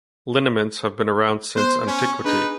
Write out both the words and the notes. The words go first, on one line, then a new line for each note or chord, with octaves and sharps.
Liniments have been around since antiquity.
B3 C5 C6 F#6
C#4
D4 D#4 G#4 B4